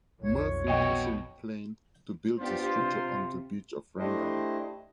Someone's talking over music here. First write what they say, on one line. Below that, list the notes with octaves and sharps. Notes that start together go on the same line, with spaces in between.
Murphy initially planned to build the structure on the beach of Rangali.
B1 F2 C#5
B2 D#5 G5 C#6
B3 D4 F4 G4 C5
C3
A3 D4 E4 G4 C5 D#5